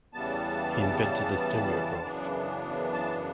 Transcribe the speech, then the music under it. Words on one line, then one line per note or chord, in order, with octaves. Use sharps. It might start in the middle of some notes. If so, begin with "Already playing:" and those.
He invented the Stereograph.
E2 C#3 E3 G3 B3 A5
F#2 C#3 E3 B3 D4
A5